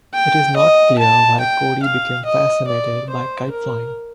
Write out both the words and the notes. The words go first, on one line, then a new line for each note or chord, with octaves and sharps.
It is not clear why Cody became fascinated by kite flying.
G5
D#5
A5
G5
F5
D#5
D5
C5
A#4